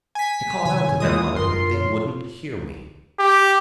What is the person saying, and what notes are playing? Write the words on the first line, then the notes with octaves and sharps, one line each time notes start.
"I called out to them, mother, but they wouldn't hear me."
G#5 B6
C3 D#3 G3 F#4 C#5 G#5
E3 G#3 A#3 F4 D#6
F#2 D3 F4 A#4 C6
F3 C#5
G4